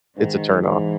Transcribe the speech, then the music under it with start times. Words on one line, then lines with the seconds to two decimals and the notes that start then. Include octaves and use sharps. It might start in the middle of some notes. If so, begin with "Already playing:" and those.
it's a turnoff.
0.16 G#2 D#3
0.64 G#2 E3